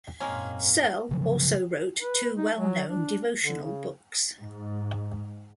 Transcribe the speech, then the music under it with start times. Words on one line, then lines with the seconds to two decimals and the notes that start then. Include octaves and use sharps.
Serle also wrote two well-known devotional books.
0.20 G#1 F#2 A#2 G#3 A#3 C4 C#4 D#4
1.11 C#3 F3 F#3
2.00 B4
2.37 D#4
2.54 F#3
2.88 D4
3.43 D3
3.63 C#3
4.40 G#2